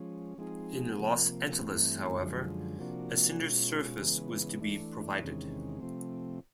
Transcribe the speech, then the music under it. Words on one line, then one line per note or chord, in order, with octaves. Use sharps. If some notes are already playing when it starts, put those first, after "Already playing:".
In Los Angeles, however, a cinder surface was to be provided.
Already playing: F3 G#3 C#4
F3 G#3 C4 D#4 G#4
C3 F3 A#3
G2 E3 A3 C4
F#2 D3 F3 G#3
C3 F3 A#3 D4 F#4
B2 G#3 C#4 F4
C#3 E3 G#3 B3
E3 A3 D4
E2 C3 D#3 G#3 C#4
C3 F3 A3 C4